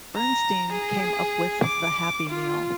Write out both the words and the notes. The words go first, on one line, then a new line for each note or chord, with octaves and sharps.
Bernstein came up with the Happy Meal.
A#5
G#4
D6
F4